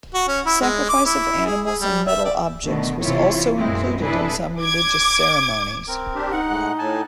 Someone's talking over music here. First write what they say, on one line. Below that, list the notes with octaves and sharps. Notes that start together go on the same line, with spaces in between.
Sacrifice of animals and metal objects was also included in some religious ceremonies.
F#4
C#4
E4
G#3
D6
E4
G#4
G#4
G3
E5
D5
B2 D3 D#3 A3
C3 E3 E4 F4 C#5
F#2 A#2 E3 G#3 C4 E4
C3 D4 E4 G#4 A4 B4
D6 G#6
C4 A#4
D4 G4
D#4 F#5
A2 G#3 F#6
A2 G#5 A5